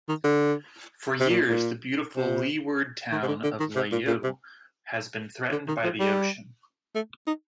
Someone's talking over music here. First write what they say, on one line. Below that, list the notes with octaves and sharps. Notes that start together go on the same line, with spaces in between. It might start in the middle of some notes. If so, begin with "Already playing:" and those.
For years the beautiful Leeward town of Layou has been threatened by the ocean.
D#3
D3
C3
A#2
A#2
C3
D#3
C3
D3
D3
D#3
C3
A#2
A#2
C3
D3
D#3
F3
G3
A3
D#4